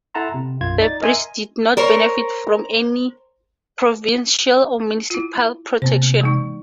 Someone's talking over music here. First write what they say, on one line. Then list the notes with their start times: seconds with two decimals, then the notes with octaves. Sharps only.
The bridge did not benefit from any provincial or municipal protection.
0.14 E4 A4 F#5 A5 A#5 C6
0.34 C3
0.61 B1 F#2 F4 G#6
0.81 D#4 D5 A6
1.02 A#4 D#5 E5 G#5 C6
1.77 A#4 C5 C#5
5.10 E4 F4
5.82 C3 A#3 B3 C5
6.21 E3 G#3 D#4